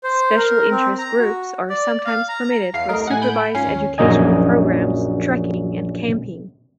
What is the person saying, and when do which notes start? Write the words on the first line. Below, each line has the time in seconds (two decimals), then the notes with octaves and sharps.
Special interest groups are sometimes permitted for supervised educational programs, trekking and camping.
0.04 C5
0.37 A#4
0.71 C4
0.98 A#5
1.19 F#4
1.70 D5
2.05 F5
2.29 A#5
2.74 E2 F5 C7
2.89 C2 A3 A#4 D#5 A#5
3.07 A2 A3 F#5 G#5
3.22 B5 G6 D7
3.55 G#2 C#4 F4 C7
3.67 D#2
3.98 A#1 F#2 D#4 D#5 G#5